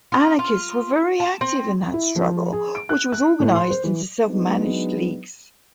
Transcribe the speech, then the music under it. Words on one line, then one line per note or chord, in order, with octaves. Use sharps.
Anarchists were very active in that struggle, which was organised into self-managed leagues.
F4
F4
A5
C4
E4
F3
G#4
D7
F#6
F#6
A2
C6
C5
E3
F#3 G#3 B3 D4 D#4